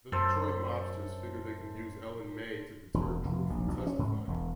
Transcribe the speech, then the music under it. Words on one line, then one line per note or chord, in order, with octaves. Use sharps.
The Detroit mobsters figure they can use Ellen May to deter Drew from testifying.
F#2 A4 C5
E1
F1
A#1
A#1
C#4
G#2
E1